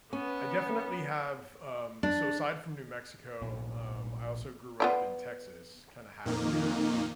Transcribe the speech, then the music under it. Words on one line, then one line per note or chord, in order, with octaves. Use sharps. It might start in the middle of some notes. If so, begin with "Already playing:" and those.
I definitely have, um so aside from New Mexico, um, I also grew up in Texas kinda half and half.
B3 C#4
D4
A#1 A#2 B3
B3 F4 D5
F2 A#2 D#3 A#3 D#4